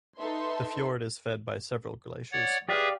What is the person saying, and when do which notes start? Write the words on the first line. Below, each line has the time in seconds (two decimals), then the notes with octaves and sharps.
The fjord is fed by several glaciers.
0.18 D#4 A4 B4 E5 C6
2.32 C#5 D5 F#5
2.69 G4 G#4 B4 D5 E5 F5